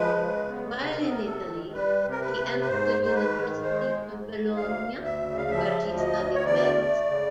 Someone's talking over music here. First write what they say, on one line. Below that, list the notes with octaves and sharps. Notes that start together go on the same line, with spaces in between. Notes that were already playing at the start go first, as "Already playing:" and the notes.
While in Italy he entered the University of Bologna, where he studied medicine.
Already playing: F3 G#3 B4
C#3
B3
C3 B4
A#4
A4
C3 A#4
A4
D#3
G3 B4
C3
A#4
B4
C3
B4
G#2 C5
G#2 C5
B4
D#3
G#3 C5
G#2
G#2
D2 F5
D2
E5
C#3
F5
F3 E5
D2
D#5
D2
C#5
E2 D5
A3
C#3